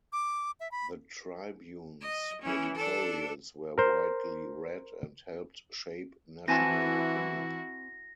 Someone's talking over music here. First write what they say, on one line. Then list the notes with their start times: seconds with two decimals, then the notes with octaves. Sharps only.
The "Tribune"s editorials were widely read and helped shape national opinion.
0.13 D6
0.60 E5
0.71 B5
2.02 D#5
2.43 E3 C#4
2.76 D4 A4
3.78 A#4 C5
6.48 E3 C4 E4 F#4 G#5 A5 A#6